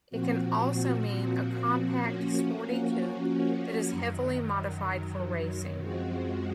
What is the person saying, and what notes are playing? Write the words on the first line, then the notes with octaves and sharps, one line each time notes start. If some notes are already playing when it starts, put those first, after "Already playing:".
It can also mean a compact sporty coupe that is heavily modified for racing.
A#2 F3 C4 F#4
F3 A#3 C#4 F#4
F#2 D#3 F#3
F#2 F3 G#3 C4 F#4